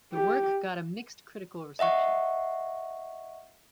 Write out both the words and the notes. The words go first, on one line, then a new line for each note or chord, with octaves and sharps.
The work got a mixed critical reception.
G4
D#5 E5 F#5 C#6